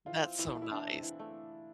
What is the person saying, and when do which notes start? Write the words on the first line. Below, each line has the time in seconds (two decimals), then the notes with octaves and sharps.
That's so nice.
0.06 E3 F4
0.23 C4
0.39 E3 E4
0.55 A3
0.62 E4
0.71 E3 D4
0.87 C4
1.03 E3
1.19 A3